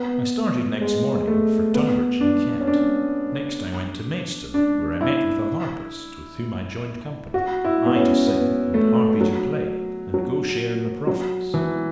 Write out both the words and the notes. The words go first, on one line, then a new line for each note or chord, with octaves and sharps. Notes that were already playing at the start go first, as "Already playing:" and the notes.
I started next morning for Tunbridge, in Kent; next I went to Maidstone, where I met with a harpist with whom I joined company, I to sing, and harpy to play, and go share in the profits.
Already playing: B3
G#3
A3
B3
D4
C#4
D4
D4
E4
F#4
E4
B3
C#4
B3
A3
F#3
F#3
F#3
E3